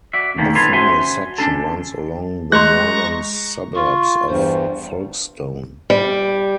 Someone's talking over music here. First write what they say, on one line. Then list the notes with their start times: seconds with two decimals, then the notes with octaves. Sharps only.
The final section runs along the northern suburbs of Folkestone.
0.13 F#4 D5 E5
0.38 B2 D3 D#3 A3 A#3 C#4
0.55 F2 D#3 A4 B4 C#5 C6
0.73 C#4 F#4 C5 E5 G#5 C6
1.38 C#4 D4 A4
2.52 G#3 A#5 C6 C#6 F#6 A#6
3.75 F4 C#6
4.28 E2 G2 C5
5.90 G3